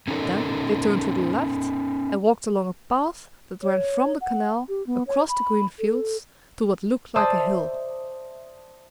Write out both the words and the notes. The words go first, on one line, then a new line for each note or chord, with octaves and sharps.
Then they turned to the left and walked along a path that ran from the canal across the green fields to what looked like a hill.
A3 C#4 D#4 G4 A4 A#4
C#5
F#5
G4
B3
C#5
B5
A4
C5 D5 E5 A5 D#6